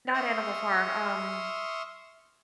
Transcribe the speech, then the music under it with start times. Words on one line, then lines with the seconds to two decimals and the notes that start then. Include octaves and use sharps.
not Animal Farm, um
0.14 E5 C6 C#6 D#6 F6